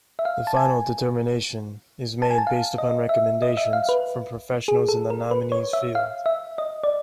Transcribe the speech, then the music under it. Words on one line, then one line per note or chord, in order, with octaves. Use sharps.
The final determination is made based upon recommendations from professionals in the nominee's field.
E5
F5
A5
G#5
A5
G#5
A5
F5
D#5
E5
D#5
E5
F5
B4
G#4
A4
A#4
B4
C#5
E5
F5
E5
D#5
D5